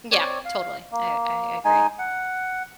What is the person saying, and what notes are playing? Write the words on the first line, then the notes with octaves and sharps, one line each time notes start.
Yeah, totally. I I agree.
C4 C#5 D5
F5
A#3
G#3 D#4 G#5
F#5